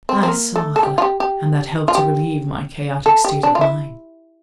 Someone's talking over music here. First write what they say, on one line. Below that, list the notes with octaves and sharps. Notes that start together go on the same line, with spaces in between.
I saw her, and that helped to relieve my chaotic state of mind.
C4
C4
A#3
A3
A4
G4
F4
G4
G4
F4
G4
A4
G4
D4
F4
E4